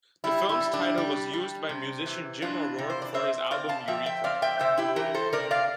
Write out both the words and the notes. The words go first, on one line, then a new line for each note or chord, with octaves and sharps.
The film's title was used by musician Jim O'Rourke for his album "Eureka".
G3 E4
E4
G3
D4
G3
G3
C3
E3
E3 D4 F4
C3
C5
D5
C4 C5 E5
C4 D5 F5
F5 A5
F3 E5 G5
E5 G5
C4 D5 F5
E5 G5
C3 C5 E5
E4 G4
E3 G4 A#4
A4 C5
C3 A#4 D5
D5 F5